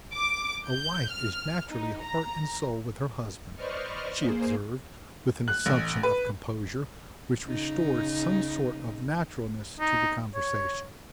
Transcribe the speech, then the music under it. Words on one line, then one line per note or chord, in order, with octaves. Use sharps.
"A wife is naturally heart and soul with her husband," she observed, with an assumption of composure which restored some sort of naturalness to the conversation.
D6
G6
F6
D#4
A#5
B4 C5 D5 D#5 C#6 F6
A#3 G#4 C5
F#6
A1
B4
C#3 D#4
D#4
C#5